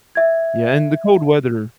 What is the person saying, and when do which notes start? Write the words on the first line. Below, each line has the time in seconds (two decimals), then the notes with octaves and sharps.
Yeah, and the cold weather
0.15 E5 G#6